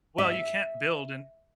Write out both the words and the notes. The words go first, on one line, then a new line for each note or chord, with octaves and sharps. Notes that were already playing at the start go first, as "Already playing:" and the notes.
Well, you can't build in
E5